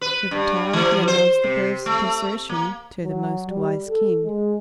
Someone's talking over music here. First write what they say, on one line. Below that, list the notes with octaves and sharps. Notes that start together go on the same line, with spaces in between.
With terror he announced the bird's desertion to the most wise King.
B4
G2
E3
C5
C3
A3
A#3
F#3
G3
A4
G#3